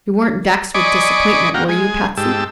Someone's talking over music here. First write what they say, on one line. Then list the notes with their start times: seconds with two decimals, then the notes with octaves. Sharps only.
"You weren't vexed with disappointment, were you, Patsy?"
0.75 D5 D#5 G#5 B5 C#6 D6
1.54 F#4 F5 G5 A#5
1.69 G#3 G#5
2.17 G#2 G4 A5 E6